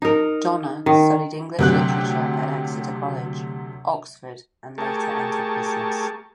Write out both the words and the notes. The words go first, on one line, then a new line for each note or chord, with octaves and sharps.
Donner studied English literature at Exeter College, Oxford and later entered business.
D#4 A#4
D#3
D2 C3 F#3 G4 G5 F#6
A3 G4 G#4 A#4 A5 C#6